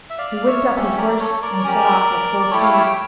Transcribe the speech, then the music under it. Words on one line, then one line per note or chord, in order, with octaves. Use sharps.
He whipped up his horse and set off at full speed.
E5
D5 F5
F5
C#5 E5
C#4 G4 C#5 E5
A#4 D5
A4 C#5
A#4 D5
C#5
C#4 G4 A#4 D5
D5
A3 E4 G4 A4 C#5
F5
C#5 E5
G5